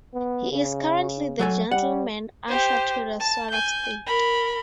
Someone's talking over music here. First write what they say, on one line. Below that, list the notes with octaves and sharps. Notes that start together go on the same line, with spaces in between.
He is currently the Gentleman Usher to the Sword of State.
B3
C#3
F#3 A4 G#5
G3 F#5
G4 C5
A5
G#5 G6
A#4 B5